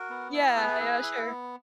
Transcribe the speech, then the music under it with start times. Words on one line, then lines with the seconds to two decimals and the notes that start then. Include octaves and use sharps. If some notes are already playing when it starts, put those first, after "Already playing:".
Yeah, yeah, sure.
Already playing: F#4 A#4
0.10 B3
0.33 E4
0.56 B3 G#4 B4
0.79 E4
1.02 E4
1.26 B3